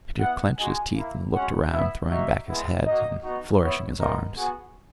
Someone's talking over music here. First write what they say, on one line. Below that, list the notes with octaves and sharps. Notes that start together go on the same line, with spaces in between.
Petya clenched his teeth and looked around, throwing back his head and flourishing his arms.
B3 E4 F#5
G#3 D#4 F#4 G#5
A#3 E4
G#3 C#4 F#4 F#5
B3 E4 E5
A#3 D#4 F#4 E5
G#3 B3 E4
A#3 D#4 F#4 D#5
B3 D#4 F#4
B3 E4 C#5
G#3 B3 D#4 A#4
B3 F#4 G#4